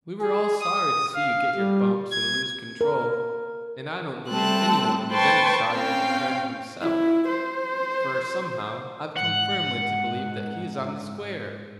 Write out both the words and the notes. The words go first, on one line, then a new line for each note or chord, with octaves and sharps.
We were all sorry to see you get your bumps and lose control, and I don't believe any one was any sorrier than Grant himself; for, somehow, I've come firmly to believe that he's on the square.
G#4
D#6
F5
G3
G#6
A#4
G3 A3 C4 A5 F#6
B4 C5 G5 A5 C6 C#6
C4 C#4 F5 G5
E4
C5
G#2 F#5